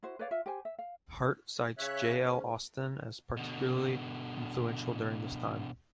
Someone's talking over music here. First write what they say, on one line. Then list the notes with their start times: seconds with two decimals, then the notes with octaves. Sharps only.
Hart cites J. L. Austin as particularly influential during this time.
0.03 E4 F#4 C5
0.19 B4 C#5 D5 F5
0.31 F4 E5
0.46 G4 C5 G#5
0.65 E5
0.79 F5
1.78 C#3 C#5 E5 F#6
2.23 D2 G#2 C#4 C5
3.37 B2 D3